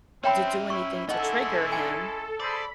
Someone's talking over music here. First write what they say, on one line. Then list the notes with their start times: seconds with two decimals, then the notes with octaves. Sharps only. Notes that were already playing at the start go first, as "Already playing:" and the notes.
d do anything to trigger him.
0.24 C4 C#4 C#5 E5 G5 B5
0.70 E4 C#6
1.09 G#3 C#4 D#4 E4 A4 D#5 F#5
1.72 G#5
2.40 G#4 A4 C5 D5 B5